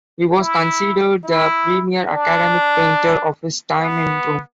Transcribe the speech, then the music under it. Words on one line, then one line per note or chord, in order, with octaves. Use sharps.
He was considered the premier academic painter of his time in Rome.
E4
E4
D4
B3